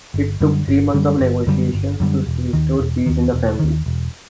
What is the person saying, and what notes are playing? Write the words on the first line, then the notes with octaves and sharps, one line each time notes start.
It took three months of negotiations to restore peace in the family.
G1
F#2 D3 G3
G1
F#2 D3 G3
G1
F#2 D3 G3
G1
F#2 D3 G3
E1
D#2 D#3
E1
D#2 D#3
E1
D#2 D#3
E1